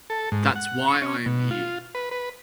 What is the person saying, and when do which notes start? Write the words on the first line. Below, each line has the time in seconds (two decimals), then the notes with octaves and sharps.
That's why I am here.
0.10 A4
0.32 G#2
0.56 F#5
0.88 C#6
1.02 C#4
1.26 B2
1.51 F4
1.95 B4
2.11 B4